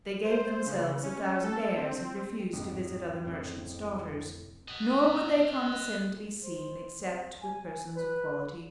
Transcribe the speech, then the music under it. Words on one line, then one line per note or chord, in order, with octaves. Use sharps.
They gave themselves a thousand airs, and refused to visit other merchants' daughters; nor would they condescend to be seen except with persons of quality.
C5
C#3
C#4
A4
C4
A1 F2 G#2
F1 A2 C4
D#5 F#5
C5
C4
G#5
B4